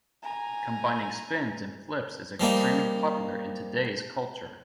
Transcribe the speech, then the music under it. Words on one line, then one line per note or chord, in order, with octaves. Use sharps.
Combining spins and flips is extremely popular in today's culture.
G#5 A#5
F3 G3 A#3 D#4